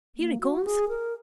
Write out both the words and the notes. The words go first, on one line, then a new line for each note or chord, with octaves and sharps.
Here he comes.
A#3
F#4
G#4
A#4